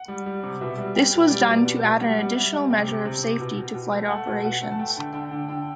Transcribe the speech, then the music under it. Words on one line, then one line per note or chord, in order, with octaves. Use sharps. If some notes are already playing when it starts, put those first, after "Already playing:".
This was done to add an additional measure of safety to flight operations.
Already playing: F#5
G3
G3
C3
B2 E5
G3
G3 G5
B2
G3 D5
B2
B2
B2
G3 F#5
G3
G3 E5
G3
C3 G5
C3
C3
C3
B2
B2
B2
A3
A3 F#5
B2
B2 F#5
A3
A5
A3 G5
D3
D3 G5
D3
D3 G5